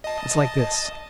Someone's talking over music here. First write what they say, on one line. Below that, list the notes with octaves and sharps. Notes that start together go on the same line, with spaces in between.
It's like this.
D#5 A5